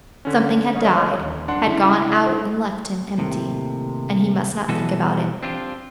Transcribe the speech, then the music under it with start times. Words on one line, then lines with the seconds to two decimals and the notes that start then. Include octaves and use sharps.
Something had died, had gone out and left him empty, and he must not think about it.
0.25 D3 C#4
0.74 D#1 C#5 D#5 F5
1.21 D#2
1.48 D4 F#5 C6
1.67 C#3 E4
3.18 D#2 A2 C3
4.69 B2 E3 G3 B3 F#4 A4
5.43 C4 D4 F4 G4